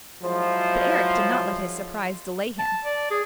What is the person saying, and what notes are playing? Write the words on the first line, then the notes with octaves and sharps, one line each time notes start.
But Eric did not let his surprise delay him.
F3 F#3 G#3 E4 C5
A5
D5
G#4